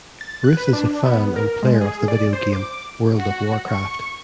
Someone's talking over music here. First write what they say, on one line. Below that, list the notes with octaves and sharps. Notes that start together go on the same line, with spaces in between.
Routh is a fan and player of the video game "World of Warcraft".
A6
F#6
B4
D4
B3
A#4
G#3
G#4
D5
C5
D6
F#4
C#6